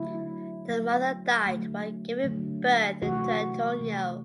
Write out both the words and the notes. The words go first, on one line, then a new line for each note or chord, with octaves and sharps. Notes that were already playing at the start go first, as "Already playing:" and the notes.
The mother died while giving birth to Antonio.
Already playing: D3 F#3 A3 E4
D3 F#3 A3
D3 F#3 A3
D3 F#3 A3
C3 E3 A3 F#4
C3 E3 A3